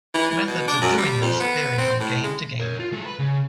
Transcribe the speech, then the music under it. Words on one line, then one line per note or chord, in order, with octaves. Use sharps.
Methods of doing this vary from game to game.
E3
E3
B2
D4
F#2
G3
F2
B3
C4
A2
G#3
A#4 C#5
F4
G#3 A4
B4
C#3